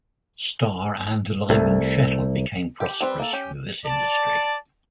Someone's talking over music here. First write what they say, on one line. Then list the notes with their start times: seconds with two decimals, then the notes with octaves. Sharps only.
Starr, and Lyman Shettle became prosperous through this industry.
1.50 C2 A3
2.80 G4
3.01 G3 C4 B4
3.20 A#3 A4
3.33 C#4 G4
3.84 D5 A5